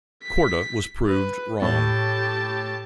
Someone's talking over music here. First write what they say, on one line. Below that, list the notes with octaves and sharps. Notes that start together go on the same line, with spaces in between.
Korda was proved wrong.
B6
B4
A2 G4 A5